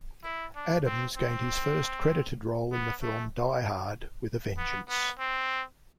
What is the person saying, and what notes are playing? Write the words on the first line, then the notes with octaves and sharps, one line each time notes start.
Adams gained his first credited role in the film "Die Hard with a Vengeance".
E4
D4
C4
C4
B3
A3
B3
B3
C4